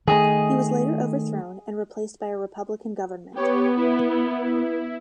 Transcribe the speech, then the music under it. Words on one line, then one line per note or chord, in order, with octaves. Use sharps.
He was later overthrown and replaced by a republican government.
D#3 A3 G#4 D#5
B3 G4 C#5
E4